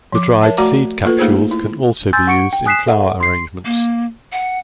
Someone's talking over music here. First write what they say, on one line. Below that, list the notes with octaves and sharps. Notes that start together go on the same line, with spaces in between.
The dried seed capsules can also be used in flower arrangements.
F3 D6
A#4 C#5 E5 A5
A3 F#4 D5 F#5 A#5 D6
A#3 F4 A4 B4
A3 A#3 D#4 G#4 C5
E4
G#5 C6 E6 G6 A6
F#5 C#6 C#7 D7
G5
G#5 D#6 F#6 B6 C7 E7
A4 E5 F#5
C6 C7
A#3
F#5